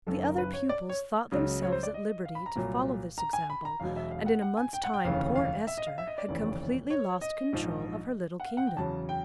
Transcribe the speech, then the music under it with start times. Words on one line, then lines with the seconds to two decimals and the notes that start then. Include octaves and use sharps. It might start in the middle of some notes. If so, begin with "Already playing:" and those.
The other pupils thought themselves at liberty to follow this example, and in a month's time poor Esther had completely lost control of her little kingdom.
0.07 F#1 F#2 D#3 A4
0.23 A#4
0.38 B4
0.53 C#5
0.69 D5
0.89 C#5
1.32 C#2 C#3 F#3
1.63 C#5
1.72 C5
1.83 D5
1.94 D#5
2.25 F5
2.35 B5
2.46 A#5
2.56 C2 A#2 F#3
3.18 A#5
3.33 G#5
3.50 B5
3.65 A#5
3.80 E1 E2 B2 F#3 F5
3.96 E5
4.11 F5
4.26 F#5
4.42 F#5
4.57 G#5
4.73 G5
4.84 F#5
4.94 G5
5.04 F1 D#2 C#3 E3 F5
5.36 F5
5.67 E5
5.78 D#5
5.87 F5
5.98 E5
6.07 D#5
6.18 D5
6.28 F1 D#2 C#3 E3
6.90 C#5
7.21 D#5
7.53 A#1 G#2 F3
8.40 F#5
8.46 F5
8.57 F#5
8.67 G5
8.77 E2 C#3 F#3 A5
9.09 G5